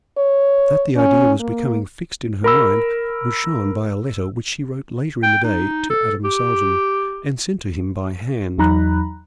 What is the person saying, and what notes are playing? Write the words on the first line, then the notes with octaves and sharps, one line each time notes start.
That the idea was becoming fixed in her mind, was shown by a letter which she wrote later in the day to Adam Salton, and sent to him by hand.
C#5
C#4
A#3
A#4 B5 E6
G5
D#4
A4
G4
E2 F#3 D#4 A#5 B5 F#6